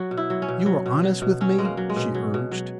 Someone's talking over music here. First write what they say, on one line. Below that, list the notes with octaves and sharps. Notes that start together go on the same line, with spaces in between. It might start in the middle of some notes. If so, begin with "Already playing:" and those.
"You are honest with me?" she urged.
Already playing: F#3 F#4
B2
E4
F#3
C#4
B2
F#3
B2
F#3
B2
F#3 C#4
B2 G#3
A#3
F#3
G#3
B2
F#3
B2
F#3